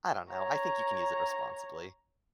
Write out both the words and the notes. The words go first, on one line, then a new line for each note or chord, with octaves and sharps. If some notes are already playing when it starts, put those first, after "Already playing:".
I don't know. I think you can use it responsibly.
C#5 A#5